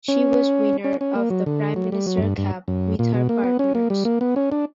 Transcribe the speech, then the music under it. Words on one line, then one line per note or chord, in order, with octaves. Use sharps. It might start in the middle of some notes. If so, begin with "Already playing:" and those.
She was winner of the Prime Minister Cup with her partners.
C#4
C#4
C#4
A#3
F#3
D3
F#3
G3
F#3
F#2
G2
G2
F#2
A#2
B2
A#3
B3
C#4
A#3
G3
A#3
B3
C#4
D4